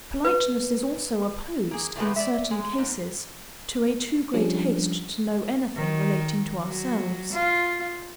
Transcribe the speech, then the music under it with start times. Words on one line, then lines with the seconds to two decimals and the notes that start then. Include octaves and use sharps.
Politeness is also opposed, in certain cases, to a too great haste to know anything relating to ourselves.
0.25 B4
1.71 A#3 G#4
1.96 E2 A2 C3 G#3 B3 B4
2.16 D5 E5
2.51 G#3
2.78 G#2
4.33 F3 G3 C#4 D4
5.76 D#3
6.64 F#3
7.33 F4